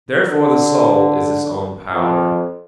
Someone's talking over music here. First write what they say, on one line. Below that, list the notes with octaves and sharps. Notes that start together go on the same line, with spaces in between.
Therefore the soul is its own power.
D3
F2